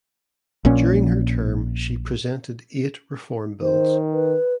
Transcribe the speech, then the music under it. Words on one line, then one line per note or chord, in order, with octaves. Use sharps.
During her term she presented eight reform bills.
A#1 A#2 C#4
D#3 C5
B4